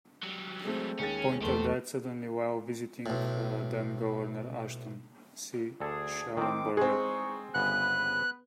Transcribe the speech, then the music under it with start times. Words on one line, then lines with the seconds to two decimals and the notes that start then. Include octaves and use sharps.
Poynter died suddenly while visiting then Governor Ashton C. Shallenberger.
0.23 F#3 G3
0.64 G#3 A3 C4
0.99 D#2 G#3 C#4 A6
1.42 E2 A3 G4 C5
3.06 B1 A2
5.80 D2 D4 G#4 A4 A5
6.37 D#3 G#3 C4 D6
6.77 E2 G#3 C4 D#4 G#4 C#6
7.54 G1 C#3 B3 B4 F#5 F#6